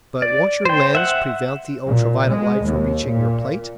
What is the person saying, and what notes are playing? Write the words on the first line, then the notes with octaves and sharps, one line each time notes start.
"But won't your lens prevent the ultra-violet light from reaching your plate?"
D5
C5 G5
E5 F#5
A#2
G#3
D#2
A#2